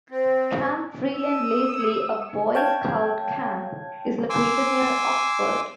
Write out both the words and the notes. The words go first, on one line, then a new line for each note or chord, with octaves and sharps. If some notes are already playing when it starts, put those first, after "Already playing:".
Camp Freeland Leslie, a Boy Scout camp, is located near Oxford.
C4
D#6 E6
C#5 F5 G5 A5 G#6
G#5 C6 D6 E6